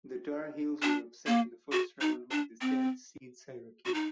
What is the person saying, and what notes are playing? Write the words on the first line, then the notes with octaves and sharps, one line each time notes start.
The Tar Heels were upset in the first round by the tenth seed Syracuse.
D4
A#3
F#4
D#4
D4
C4
F#4
D#4